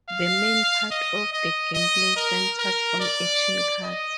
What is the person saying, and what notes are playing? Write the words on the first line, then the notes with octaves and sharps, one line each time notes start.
The main part of the gameplay centers on "action cards".
F5
D#5
D#5
D#5
A#4
A#4
D5
D#5